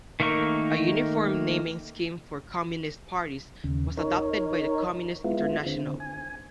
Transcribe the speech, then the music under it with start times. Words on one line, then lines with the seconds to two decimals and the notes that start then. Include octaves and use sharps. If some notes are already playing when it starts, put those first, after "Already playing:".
A uniform naming scheme for Communist parties was adopted by the Communist International.
0.20 D#3 A3 A#3 D#4 C#6
3.64 D#2 C#3
3.97 D#4 A#4 C#5
5.24 G#3 B3 E4 F4
5.66 D3 C4
6.00 G#5